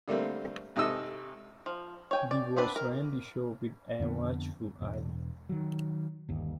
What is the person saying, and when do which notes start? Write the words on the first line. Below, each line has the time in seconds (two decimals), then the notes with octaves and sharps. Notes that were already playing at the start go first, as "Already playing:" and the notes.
The boss ran the show with a watchful eye.
0.08 D3 G3 A3 A#3 C4
0.76 G#1 C3 D#4 A4 D#5 E6
1.66 F3
2.11 C#5 G5 G#5
2.31 D5
2.56 B3 C4 D4 B4
2.76 A#4
4.00 F2 D3 B3
4.82 E1
5.49 D#3 F#3
6.29 G1 D#2